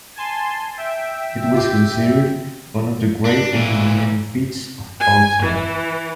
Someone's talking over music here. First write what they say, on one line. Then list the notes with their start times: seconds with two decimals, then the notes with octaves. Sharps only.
It was considered one of the great engineering feats of all time.
0.16 G#5 A5 C6
0.77 E5 G5
1.54 F4 G4
3.25 D4
3.53 A#2 E3
5.00 G#5
5.43 E3